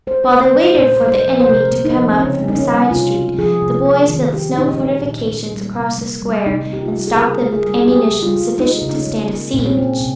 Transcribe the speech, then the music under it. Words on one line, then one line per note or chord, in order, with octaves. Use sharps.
While they waited for the enemy to come up from the side street, the boys built snow fortifications across the Square and stocked them with ammunition sufficient to stand a siege.
G#3 C5
C5
C#3
C5
G#3 C5
A#2 C5
C5
A#3
C5
F3
C5
C3 A#4
A#3
D#4
F3
C4
C#3 C#4
A#3 D#4
C#4
G3
C3 F4
G#3
F3 G#4
C3
A#3
D#3
G#3 G4
A#2 D#4
C#4
G#3
A#2
A#3
G3
C3
A#3
G3
C3 D#4
A#3 G4
F4
G3
G#4
C#3 A#4
A#3
G#4
G3
G#4
G#3 G4
C#3
F4
G#3
G#3 D#4
C#3
D#4
C#4
G#3
G#3 A#3
A#2
C#4
C4
G#3
C3